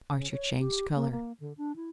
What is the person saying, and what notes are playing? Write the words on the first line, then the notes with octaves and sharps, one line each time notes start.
Archer changed colour.
C#3
C#5
G4
A#3
A#3
D3
D4
E4